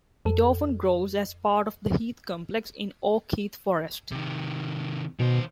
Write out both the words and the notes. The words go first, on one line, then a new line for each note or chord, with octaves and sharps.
It often grows as part of the heath complex in an oak-heath forest.
F2 A4
C3 D#3
B2 D#3 C5